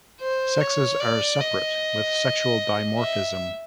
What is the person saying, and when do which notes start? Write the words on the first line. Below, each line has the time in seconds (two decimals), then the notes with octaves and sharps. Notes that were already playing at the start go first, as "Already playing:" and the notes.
Sexes are separate with sexual dimorphism.
0.21 C5
0.61 C#5
1.00 D5
1.40 D#5
2.99 E5